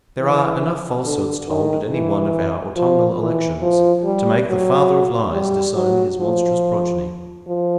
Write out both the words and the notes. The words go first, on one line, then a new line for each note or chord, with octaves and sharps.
There are enough falsehoods told at any one of our autumnal elections to make the "Father of Lies" disown his monstrous progeny.
E3
D3
D#3
E3
F3
E3
F3
G3
F#3
G3
F#3
F3
F3